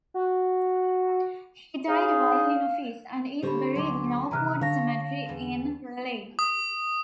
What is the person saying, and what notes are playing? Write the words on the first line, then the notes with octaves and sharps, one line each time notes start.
He died while in office and is buried in Oakwood Cemetery in Raleigh.
F#4
C#4 D#4 G#4 F5
D3 G4 C5 C#5 B5
D2 D3 F#3 C6 D6
C3 D#3 E3 A#5 F6 F#6
D3 C#5 F5 A5 A#6
E2
D#6